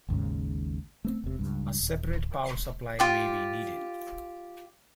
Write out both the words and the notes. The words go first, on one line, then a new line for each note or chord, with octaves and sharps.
A separate power supply may be needed.
G#1 D#2 G#2 C#3
A3 B3 C4
E1 C3
C#2 G2
D#1
F4 G4 D5